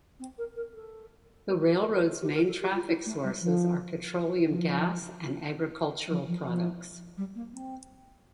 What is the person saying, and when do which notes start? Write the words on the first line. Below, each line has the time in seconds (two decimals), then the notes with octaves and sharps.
The railroad's main traffic sources are petroleum gas and agricultural products.
0.19 C4
0.38 A#4
0.55 A#4
0.73 A4
1.80 A#4
1.94 A#4
2.07 A4
2.21 G4
2.34 A#4
2.47 A4
2.61 G4
2.75 F4
2.87 E4
3.05 A3
3.23 G3
3.41 F3
4.48 F3
6.10 F3
6.27 F3
6.45 F3
7.17 G3
7.35 A#3
7.53 C4